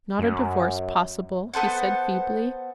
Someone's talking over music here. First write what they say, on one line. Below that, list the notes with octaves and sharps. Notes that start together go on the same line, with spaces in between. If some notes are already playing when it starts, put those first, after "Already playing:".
"Is not a divorce possible?" he said feebly.
F#2
B3 A4 C5 F#5